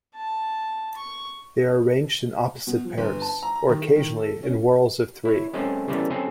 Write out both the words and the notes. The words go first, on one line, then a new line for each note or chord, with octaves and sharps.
They are arranged in opposite pairs or occasionally in whorls of three.
A5
C#6
B2
F3
G1
A5
A#5
A#5
D#3
D#3
A4
C#4
E4 C#5
F#3 G#3 A3 C4 C#4
C#3 E3 G3 A3 B3 C#4
C#3 F#3 C4 G#4 A4